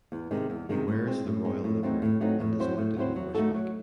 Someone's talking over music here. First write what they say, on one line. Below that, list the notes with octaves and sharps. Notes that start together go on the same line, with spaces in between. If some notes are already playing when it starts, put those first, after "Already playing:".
He wears the royal livery and is mounted on horseback.
E2
C3 D#3 G#3
E2
C3 D#3 G#3
A2
G#3 C4
A2
G#3 C4
A2
F#3 A3 C4 D#4
A2
F#3 A3 C4 D#4
A2
F#3 C4 E4 C5
A2
F#3 C4 E4 C5
F#3
A3 D#4 F#4 A4
F#3